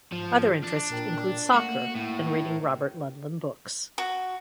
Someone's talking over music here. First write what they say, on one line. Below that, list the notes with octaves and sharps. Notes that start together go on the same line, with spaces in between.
Other interests include soccer and reading Robert Ludlum books.
G#2 F3
E3 D4
A#2 A#4 G5
A3 A#3 F#4 F#5
A2
A#4 C5
F#4